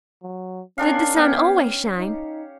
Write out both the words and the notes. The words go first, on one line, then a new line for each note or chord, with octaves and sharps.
Did the sun always shine?
F#3
D#3 C#4 D4 F5
B3 C#4 G4
D#4